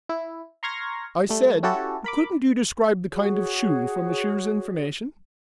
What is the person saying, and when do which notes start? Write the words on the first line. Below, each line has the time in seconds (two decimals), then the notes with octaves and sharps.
"I said, couldn't you describe the kind of shoe, for monsieur's information?"
0.09 E4
0.63 A#5 C6 C#6 F6 G#6 A#6
1.29 G3 A3
1.63 C#4 E4 F#4 G4 A4 C#5
2.04 A#4 B5 D6
3.12 F#4 G#4 C#5